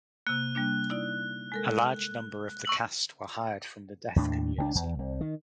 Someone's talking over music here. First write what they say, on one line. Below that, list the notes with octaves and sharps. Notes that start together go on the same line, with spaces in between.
A large number of the cast were hired from the deaf community.
C3 A#3 F#6
G3 A#3 D4
D#4 E4 D5
G#3 A4 A#4
C#6 E6 F#7
D#2 A2 D4
C#2 G3 D4
E2
C2
D#3